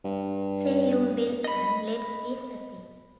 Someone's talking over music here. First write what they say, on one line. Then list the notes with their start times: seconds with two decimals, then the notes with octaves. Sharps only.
Say you will, and let's be happy.
0.05 G2
1.44 D#5 B5